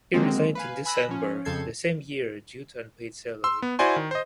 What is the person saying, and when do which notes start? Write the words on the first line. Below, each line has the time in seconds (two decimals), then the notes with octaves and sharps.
He resigned in December the same year due to unpaid salary.
0.14 D3 D#3 F#3 G#3 A#3 C4
0.55 B4 F5 G#5
0.85 G#5 B5 E6 F#6 A#6 E7
1.09 F3 C#4
1.45 F2 C#3 A4 G6 G#6 C7
3.44 C6 E6
3.62 B3
3.79 E4 F#4 C5 D5 G#5 C6
3.96 D#3
4.11 C5 D#5